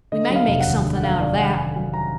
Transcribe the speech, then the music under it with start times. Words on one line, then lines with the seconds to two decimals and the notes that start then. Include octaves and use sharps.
We may make something out of that.
0.12 D3 D#5
0.30 F#3
0.35 F5
0.48 F1
0.60 F#5
0.67 D#2
0.85 D3
0.96 F#5
1.02 F#3 F5
1.21 F1 D5
1.39 D#2 F#5
1.57 D3 G#5
1.75 F#3 G#5
1.94 A#5